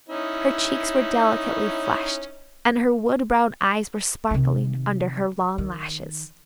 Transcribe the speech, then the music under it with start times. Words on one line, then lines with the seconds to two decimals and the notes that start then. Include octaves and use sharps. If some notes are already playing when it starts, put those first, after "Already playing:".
Her cheeks were delicately flushed, and her wood-brown eyes were sparkling under her long lashes.
0.09 C#4 D#4 E4
4.31 C3 D#3
5.58 D#3